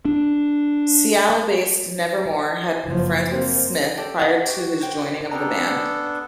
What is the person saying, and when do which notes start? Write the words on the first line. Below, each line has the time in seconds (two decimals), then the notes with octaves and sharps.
Seattle-based Nevermore had been friends with Smyth prior to his joining of the band.
0.05 D4
2.85 F#1 F3
3.29 A#3 C4
3.97 G4 A4 F#5
4.21 F5 F#5
4.46 F#4 G4
4.81 C5 C#5 G5
5.31 B3 C#4 D4 G4 A4 A#5